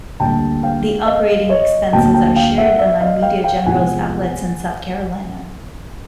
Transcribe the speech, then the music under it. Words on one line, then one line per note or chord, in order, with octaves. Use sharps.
The operating expenses are shared among Media General's outlets in South Carolina.
D2 D3 G3 A#3 G5 A5
F5 G5
D#5 F5
C#5 D#5
D2 D3 F#3 A#3 G5 A5
G5 A5
F5 G5
E5 F#5
D5 E5
D#5 F5
F5 G5
F5 G5
E2 C3 F3 G#3 F#5 G#5